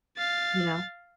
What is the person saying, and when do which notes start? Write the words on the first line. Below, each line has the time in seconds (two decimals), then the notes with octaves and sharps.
you know?
0.17 F5 A6